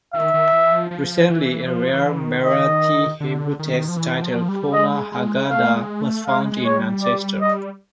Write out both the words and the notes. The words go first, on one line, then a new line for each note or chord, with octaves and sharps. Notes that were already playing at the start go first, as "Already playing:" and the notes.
Recently, a rare Marathi-Hebrew text titled "Poona Haggadah", was found in Manchester.
D#3 E5
D#3
E3
F3
F3
E3
F3
E3
D#3
D#5
D3
D#3
F3
E3
F3
F#3
F3
G3
G#3 D#5
G#3
A3 F5
G#3
A3
G#3 F5
G#3
C#5
G3
D5
D#5